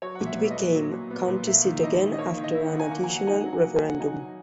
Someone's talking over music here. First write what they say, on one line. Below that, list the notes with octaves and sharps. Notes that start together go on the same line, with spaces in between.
It became county seat again after an additional referendum.
F#3 C#5
F#5
A#2
E5
B3
E5
D#5
A#2
F#3
A#2
B3
A#2
A#3 E5
D#3
E4 D#5
D#3
D#5
A#3 C#5
D#3
D#5
E4
F#5
D#3
G#5
A#3 F#5
G#5
F#3
F#5
D#4 G#5
F#3 F#5
G#5
A#3 F#5
G#5
F#3
F#5
D#4 G#5
F#5
F#3